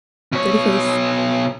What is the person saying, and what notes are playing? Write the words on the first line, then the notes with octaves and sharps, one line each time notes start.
Dirty Face!
B2 C#5